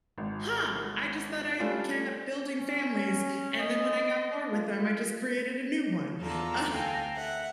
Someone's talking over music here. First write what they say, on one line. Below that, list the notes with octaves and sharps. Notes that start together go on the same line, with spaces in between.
"Huh, I just thought I kept building families, and then when I got bored with them, I just created a new one." Um,
G#1
G3 A3 C#4 D4 F4
C#4
D#5
F4
E2 E3 F4 A4 D5 A#5
D2 A4 F5 G5 G#5 A#5
E5 F#5